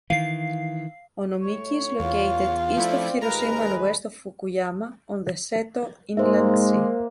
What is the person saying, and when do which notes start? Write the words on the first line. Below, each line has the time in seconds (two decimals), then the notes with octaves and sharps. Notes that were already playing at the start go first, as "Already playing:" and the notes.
Onomichi is located east of Hiroshima and west of Fukuyama on the Seto Inland Sea.
0.10 D#3 E3 F5 C7
1.41 A2 C#5
2.00 E2 F4 F5
2.77 F3 A3 C4 E4 D5
3.22 D#2 G#3 A#4 B4 A#5
6.17 G#2 G#3 A#3 C5 E5